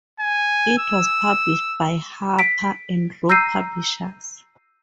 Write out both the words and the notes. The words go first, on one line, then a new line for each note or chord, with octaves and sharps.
It was published by Harper and Row Publishers.
G#5
E6
B6 D7
A#5 E6 G6 A#6 C7 D#7